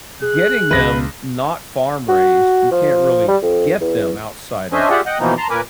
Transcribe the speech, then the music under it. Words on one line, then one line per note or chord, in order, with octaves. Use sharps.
getting them not farm-raised, you can't really get them outside of
G#4 F#6
C#2 B4 A#6
F#4
F3
G3
F2
E2
C#4 D4 C5 D#5 E5 G#5
F4 G4 G#4 D5 E5 F#5
D#5 F#5 G5
B2 E3 F3 A#3 B3 D#4
A5 A#5 C6
A#2 A#4 B4 G#5 D6